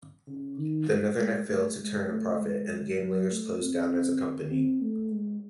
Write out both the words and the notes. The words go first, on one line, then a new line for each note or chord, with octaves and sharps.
The Nethernet failed to turn a profit, and GameLayers closed down as a company.
C#3
D#3
G#3
G#3
A3
G#3
A3
G#3
F#3
A3
C4
C4
A3
G#3